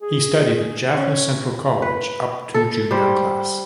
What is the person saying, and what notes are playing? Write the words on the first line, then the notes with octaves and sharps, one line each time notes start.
He studied at Jaffna Central College up to junior class.
G#4
C#4
B4
A4
G3 C5